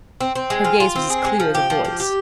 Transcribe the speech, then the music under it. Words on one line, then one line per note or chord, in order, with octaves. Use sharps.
Her gaze was as clear as a boy's.
C4
C4
G#3
F4
F4
C4
G#4
G#3
F3
G4
F3
G4
G4